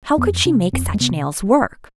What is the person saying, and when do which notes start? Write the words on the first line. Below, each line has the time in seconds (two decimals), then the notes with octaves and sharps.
How could she make such nails work?
0.18 F2 B3
0.45 C3 D4
0.73 F2 C4
0.94 G#3
1.00 C3 B3